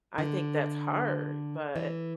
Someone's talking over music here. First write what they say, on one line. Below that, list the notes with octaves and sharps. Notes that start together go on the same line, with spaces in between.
I think that's hard, but
D3
E3